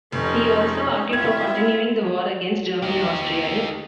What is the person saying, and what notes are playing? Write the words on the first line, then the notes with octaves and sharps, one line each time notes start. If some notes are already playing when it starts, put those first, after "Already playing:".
He also argued for continuing the war against Germany and Austria.
F1 C#4 D#4 A4 C5
C4 E4 F4 E5 G#6
D#4 G4